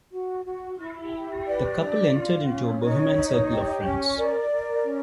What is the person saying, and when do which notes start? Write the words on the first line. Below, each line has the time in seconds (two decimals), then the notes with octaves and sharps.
The couple entered into a bohemian circle of friends.
0.12 F#4
0.46 F#4
0.80 E4
1.12 G4
1.46 B4 D5
1.81 D4
2.15 F4
2.48 C#4
2.82 D#4 C#5
3.16 D#4
3.50 G4
3.83 C#4
4.17 A#4 D5
4.51 A#4
4.86 C#4